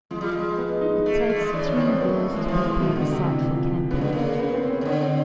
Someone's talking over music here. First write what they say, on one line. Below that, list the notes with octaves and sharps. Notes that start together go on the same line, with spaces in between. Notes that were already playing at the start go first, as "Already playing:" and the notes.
It takes three years to prepare the site for camping.
F3 G#3
G3
G#3
B3
D#4
A3
A#3
A3
G3
G#3
E3 D4
C#4
D#3
C4
F3 B3
F#3 A#3
A3
G#3
E3
E3 F3
B2 E3
B2 D#3
B2 D3
C3
E3
F3
C#3 B3
D3
C#3 A#3
B3
C4
C#4
C#3
D3 C#4
C4